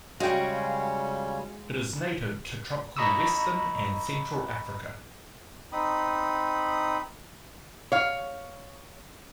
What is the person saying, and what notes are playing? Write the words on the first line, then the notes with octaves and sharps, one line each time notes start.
It is native to tropical western and central Africa.
C#3 G3 G#3 C#4 F#4 F5 G5
D#5 A#5 B5 C#6 D#6 E6
C4 D#4 B5 D#6
C#5 F5